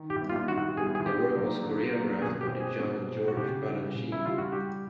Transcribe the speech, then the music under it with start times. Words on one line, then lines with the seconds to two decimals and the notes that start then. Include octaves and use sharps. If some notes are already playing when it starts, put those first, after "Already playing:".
The work was choreographed by the young George Balanchine.
Already playing: D#3
0.10 G4
0.20 G3 B3 E4
0.30 F4
0.48 D#3 F#4
0.77 G3 B3 E4 G#4
0.95 G#4
1.06 D3 G4
1.34 F#3 A#3 D4
1.64 D3
1.93 F#3 A#3 D4
2.21 B2 G#4
2.41 G4
2.50 G#3 C4
2.60 G#4
2.79 B2
3.08 G#3 C4
3.28 F#4
3.37 C#3 G4
3.65 E3 G3
3.95 C#3
4.12 E4
4.23 E3 G3 F4
4.38 F#4
4.52 G3 G4